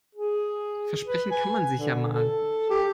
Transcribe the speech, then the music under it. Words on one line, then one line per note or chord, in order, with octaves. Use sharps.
Versprechen kann man sich ja mal.
G#4
B4
G#5
D3
A4
G4